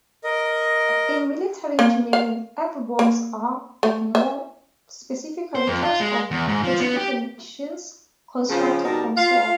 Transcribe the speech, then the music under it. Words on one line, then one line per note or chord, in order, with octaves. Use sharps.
In military engineering, earthworks are, more specifically, types of fortifications constructed from soil.
A#4 D#5
A#3
F5
A#3
A3
E5
C5
F2
F4
G#3
E2
G#2
F3
B3
G4
C#3 F3
B2 G3 D#4 A#4 A5
F4 F5